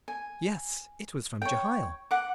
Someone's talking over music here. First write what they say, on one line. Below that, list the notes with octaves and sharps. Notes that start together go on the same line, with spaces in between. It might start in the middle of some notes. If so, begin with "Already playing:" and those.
Yes, it was from Jehiel.
G#5
C#5 G5
F#5 D6